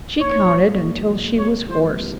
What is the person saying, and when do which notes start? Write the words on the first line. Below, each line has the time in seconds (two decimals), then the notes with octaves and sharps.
She counted until she was hoarse.
0.19 A#2 C#5
0.34 D#4
0.49 F#3
0.64 A#3
0.79 A#2
0.94 D#4
1.09 F#3
1.24 A#3
1.38 C3 C#5
1.54 C3
1.69 F3 C5
1.84 G#3
1.99 C3